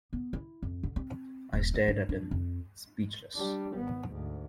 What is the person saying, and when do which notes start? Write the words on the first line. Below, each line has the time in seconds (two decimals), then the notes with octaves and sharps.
I stared at him, speechless.
0.13 B3
0.33 E4
0.63 F2
0.83 D3
0.96 C4
1.53 D#1
1.74 C4
1.88 D4
2.09 D4
2.31 F2
3.35 G3 D4
3.75 G#1 B3
4.12 D2 G#2